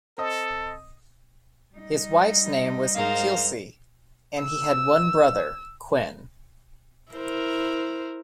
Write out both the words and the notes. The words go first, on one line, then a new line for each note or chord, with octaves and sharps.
His wife's name was Kylsea, and he had one brother, Quinn.
C4 A4 D#5 D#6
G3 D#4
G#2 A#4 C5 F5
E6
E4 A#4 C5